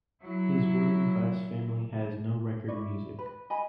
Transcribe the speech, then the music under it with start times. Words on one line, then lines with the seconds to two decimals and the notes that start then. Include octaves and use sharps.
His working-class family has no record music.
0.22 F#3 E4
2.68 E4 C#5 D5
3.19 B4
3.50 D#5 G#5 B5